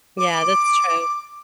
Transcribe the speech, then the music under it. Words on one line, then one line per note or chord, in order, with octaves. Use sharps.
Yeah, that's true.
D6